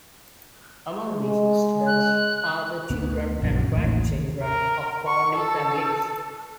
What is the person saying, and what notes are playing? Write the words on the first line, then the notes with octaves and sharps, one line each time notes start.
Among these students are the children and grandchildren of founding families.
G#3
F#6
D2 B3
A#1 F#2 D#3
A1 D#2
A#4
C#6
A4